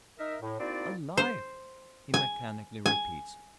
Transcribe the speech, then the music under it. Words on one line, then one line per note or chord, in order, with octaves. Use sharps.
"Alive!" he mechanically repeats.
D#4 A#4 E5
A2
A#3 C4 D#4 E4 F#4 D5
C5
G#5
G#5